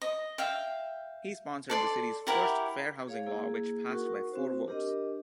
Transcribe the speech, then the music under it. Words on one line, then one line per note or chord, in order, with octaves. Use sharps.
He sponsored the city's first fair housing law, which passed by four votes.
D#5
E5 F5 G5
A4 D5 C6
E4 G4 A#4 F#5
G#4 C#5 F5
A#3 E4 G#4
D#4 F#4 A#4 F#5 C#6
C4 F#4 C5
D4 G4 A#4 D#5